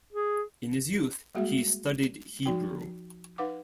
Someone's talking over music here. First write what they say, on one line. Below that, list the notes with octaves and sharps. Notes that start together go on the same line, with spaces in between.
In his youth, he studied Hebrew.
G#4
G3 G#3 A#3 F#4 G#4 E5
F3 D#4 F#4 G5
D#4 B4 F5 F#5 D6